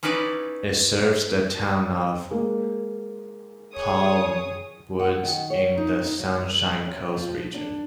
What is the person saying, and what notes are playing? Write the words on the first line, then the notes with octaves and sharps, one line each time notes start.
It serves the town of Palmwoods in the Sunshine Coast Region.
C#4 D#4 E4 B4 D5
G#3 A#3
G#4 C#5 D#6
F#5
D#3
C#5
D#4
D#4
F#3
E2
F#2
F3
D4